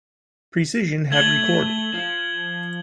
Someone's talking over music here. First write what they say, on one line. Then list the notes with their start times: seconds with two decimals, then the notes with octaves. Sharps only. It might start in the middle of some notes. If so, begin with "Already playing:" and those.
Precision had recorded.
1.12 A3 G#6 F#7 G7
1.94 F3